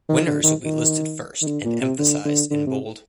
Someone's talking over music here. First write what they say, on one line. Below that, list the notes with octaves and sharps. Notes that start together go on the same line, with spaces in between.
Winners will be listed first and emphasized in bold.
D#3
D3
D#3
D#3
D#3
D3
A#2
C3
D3
D3
D3
C3